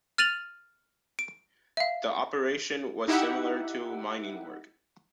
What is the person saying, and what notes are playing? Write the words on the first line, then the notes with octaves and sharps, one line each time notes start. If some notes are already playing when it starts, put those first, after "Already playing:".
The operation was similar to mining work.
F6 A6 D#7 F7 F#7
D7
E5 F5
D#4 E4 G4 E5 F#5